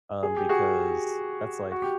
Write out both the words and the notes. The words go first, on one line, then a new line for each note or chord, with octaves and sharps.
um, because that's, like
G#4
G4
F#4 G#4
F#4
G4